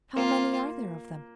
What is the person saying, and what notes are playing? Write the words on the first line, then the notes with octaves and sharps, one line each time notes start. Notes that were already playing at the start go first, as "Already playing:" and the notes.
"How many are there of them?"
A#3 F4